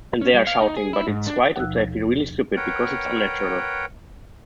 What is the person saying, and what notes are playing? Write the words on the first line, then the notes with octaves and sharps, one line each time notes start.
And they're shouting, but it's quiet and they feel really stupid, because it's unnatural.
C#4
G3
F5
D#4
G#4
E4
G#2
D4
D#2 B2 F3 D#4 E6 F#6
A#4 B4 C#5 F#5 G5